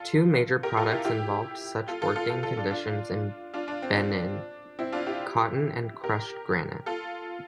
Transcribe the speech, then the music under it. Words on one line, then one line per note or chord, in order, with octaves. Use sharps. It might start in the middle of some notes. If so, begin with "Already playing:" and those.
Two major products involved such working conditions in Benin: cotton and crushed granite.
Already playing: F4 A4
G4 A#4
F4 A4
E4 G4
E4 G4
F4 A4
F4 A4
F4 A4
F4 A4
F4 A4
D4 F4
D4 F4
D4 F4
D4
C4
D4
C4 E4
D4 F4
E4 G4
G4 A#4
F4 A4